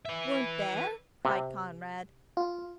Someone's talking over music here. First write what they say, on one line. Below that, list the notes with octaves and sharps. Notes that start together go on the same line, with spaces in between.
"Weren't there?" cried Conrad.
B4 E5
C3
F4